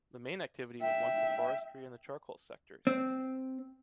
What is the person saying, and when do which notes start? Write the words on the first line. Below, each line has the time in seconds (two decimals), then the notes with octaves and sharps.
The main activity was once the forestry and the charcoal sectors.
0.81 E5 G5
2.87 C4